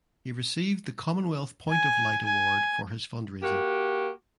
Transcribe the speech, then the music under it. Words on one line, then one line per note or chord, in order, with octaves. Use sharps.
He received the Commonwealth Point of Light award for his fundraising.
G#5
G#5
A#3 F#4 G4